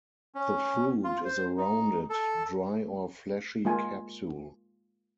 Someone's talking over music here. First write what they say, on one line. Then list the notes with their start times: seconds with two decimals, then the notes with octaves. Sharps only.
The fruit is a rounded, dry or fleshy capsule.
0.35 C#4
1.04 F4
1.25 C5
1.57 D#4
2.10 A4
3.65 G#3 A#3 F4 G#5